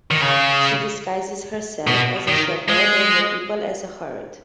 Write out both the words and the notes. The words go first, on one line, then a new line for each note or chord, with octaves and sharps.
She disguises herself as a shepherd and her people as a herd.
D#3
C#3
B2
D#3
G#3